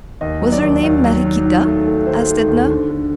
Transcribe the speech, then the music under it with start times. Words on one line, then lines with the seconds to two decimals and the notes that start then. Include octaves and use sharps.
"Was her name Mariequita?" asked Edna.
0.21 D#2 D#5
0.41 F#3
0.52 D5
0.62 D#2
0.83 D#2
1.04 F#3
1.24 D#3
1.45 D#3
1.66 A3
1.86 A3
2.07 D#3 C5
2.27 A3
2.48 D#2
2.68 D3
2.89 D3